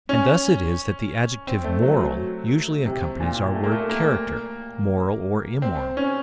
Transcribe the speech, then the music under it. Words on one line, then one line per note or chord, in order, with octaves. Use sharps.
And thus it is that the adjective 'moral' usually accompanies our word 'character'--moral or immoral.
C#4
C4
A3
F#3
F#3
C3
A#2
A3
A#3
A3
A#3
C4
C#4